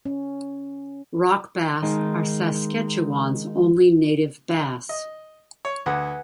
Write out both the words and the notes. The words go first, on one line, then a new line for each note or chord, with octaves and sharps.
Rock bass are Saskatchewan's only native bass.
C#4
D#3 G#3 D#4
D#5
C#5
D2 G#4 B4 F#5